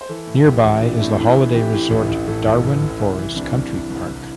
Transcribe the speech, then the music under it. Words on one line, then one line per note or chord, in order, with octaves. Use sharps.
Nearby is the holiday resort Darwin Forest Country Park.
C5
E3 A4
A2
A1 G4
A1
E3 D4
A3
A2 C4
D4
A2 E4
E3
E3 G4
A2
A1
A1
A1 A4
A1
A1
A1
C2 E4
E3
C4
C2 D4
C2
C2
C2
C2